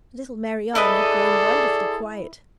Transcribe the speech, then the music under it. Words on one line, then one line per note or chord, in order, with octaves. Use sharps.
Little Marianne had grown wonderfully quiet.
E4 G#4 A4 B4 D5 D#5